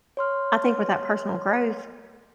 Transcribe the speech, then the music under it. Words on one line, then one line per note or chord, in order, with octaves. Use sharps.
I think with that personal growth,
C#5 C6 F6